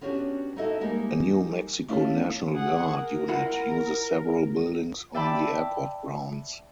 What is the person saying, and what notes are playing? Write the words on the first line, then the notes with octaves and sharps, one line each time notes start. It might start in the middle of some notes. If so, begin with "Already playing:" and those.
A New Mexico National Guard unit uses several buildings on the airport grounds.
B3 C#4 D4 F#4 G4
D#4 E4 F#4 A4 D#5 E5
G3 G#3 A#3 D#4
A3 C#4 D4 E4 F4 A4
G#4 F#5
A#4
E4 F4 F#5
D5 E5 G5 A5 B5 D6